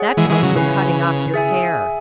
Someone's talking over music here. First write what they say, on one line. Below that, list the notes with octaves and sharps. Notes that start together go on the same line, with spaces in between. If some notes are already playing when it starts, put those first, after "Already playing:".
"That comes of cutting off your hair."
Already playing: G#4 C#5 F#5
E3 G#3
E3 G#3
C#3 F#3
C#3 E4 B4 G#5
G#4 E5 G#5